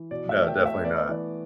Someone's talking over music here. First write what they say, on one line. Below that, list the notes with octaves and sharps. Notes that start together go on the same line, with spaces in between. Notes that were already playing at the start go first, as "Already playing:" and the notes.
no, definitely not,
Already playing: E3
B2 D5
E5
A3
G5
A3
E5
B3 D5
E3